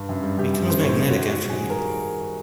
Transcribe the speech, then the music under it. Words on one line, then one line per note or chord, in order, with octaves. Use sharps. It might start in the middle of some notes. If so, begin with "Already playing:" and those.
It becomes magnetic after heating.
Already playing: G2
F#2
G3
F#2 G4
F#2
F#2 C5
C#5
F#2 C5
F#2
G3 F#4
G4
G#2 F#4
G#2
G#4
D#3
A#4